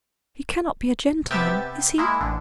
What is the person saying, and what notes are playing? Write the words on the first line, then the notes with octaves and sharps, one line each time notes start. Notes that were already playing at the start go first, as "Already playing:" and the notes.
He cannot be a gentleman--is he?'
C3 B3 G4 E5 A6
G#3 A#3 E4
A1 D3